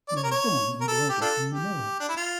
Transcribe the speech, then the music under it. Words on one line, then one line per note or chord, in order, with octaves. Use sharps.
He was born and brought up in Manila.
D5
C#5
A#4
C#5
A#4
A4
G4
D4 F4 A4
G4
D4
E4
F4